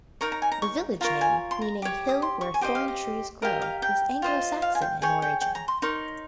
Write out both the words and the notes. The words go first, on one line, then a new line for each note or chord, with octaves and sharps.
The village name, meaning "hill where thorn trees grow", is Anglo Saxon in origin.
D#4 A#4 C#5 A#5
A#5
G#5
A#5
C#6
F4 A#4 C#5 A#5
G#5
C6
A#5
G4 C#5
D#6
C6
C#6
G#5
G4 C5 D#5 G5
F5
D#5
G4 A#4 D#5 F5
F5
G5
F4 C5 D#5
F5
G#5
G5
G#4 C#5 G5
G5
G5
A#5
C6
D#4 A#4 C#5 C6